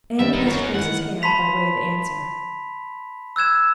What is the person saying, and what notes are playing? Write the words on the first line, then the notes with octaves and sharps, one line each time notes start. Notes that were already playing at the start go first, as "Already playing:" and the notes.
Anne pressed Grace's hand by way of answer.
D#3 G3 E5
G#3 D#4
F#2 F4 A#4 C#5
D#3 E3 F#5
A5 B5 C6 B6 F7
E6 F#6 G#6 E7